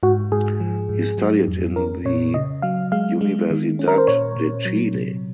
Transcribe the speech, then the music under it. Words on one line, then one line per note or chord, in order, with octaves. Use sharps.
He studied in the Universidad de Chile.
G#2 F#4
G#2 G#4
F3
G#2
F#3
F2
C#4 A#4
A#2 C#5
C#3 D#5
F#3 F5
G#3 F5
G#3
D#3
C#4
A#4
C5
A#2 C#5
A#2
F#3
C3